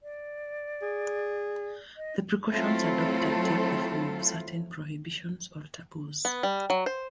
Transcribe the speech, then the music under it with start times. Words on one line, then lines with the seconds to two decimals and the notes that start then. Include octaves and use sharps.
The precautions adopted take the form of certain prohibitions or taboos.
0.03 D5
0.82 G#4
1.97 D#5
2.51 F#3 A3 C4 E4 F4 A4
6.25 B3
6.43 G3
6.70 F#3
6.86 C5